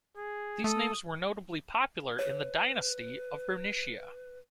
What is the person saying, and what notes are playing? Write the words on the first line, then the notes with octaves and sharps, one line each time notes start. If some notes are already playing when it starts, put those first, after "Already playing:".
These names were notably popular in the dynasty of Bernicia.
G#4
A3 A4 D#6
B4 C#5